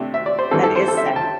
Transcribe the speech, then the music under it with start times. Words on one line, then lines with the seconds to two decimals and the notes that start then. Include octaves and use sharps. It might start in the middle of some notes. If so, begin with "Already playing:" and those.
That is sad.
Already playing: C3 A3 D4 G5
0.14 E5
0.26 D5
0.39 C5
0.51 G2 E3 C4 A4
0.63 A4
0.76 C5
0.88 A4
0.97 E5
1.06 G5
1.16 A5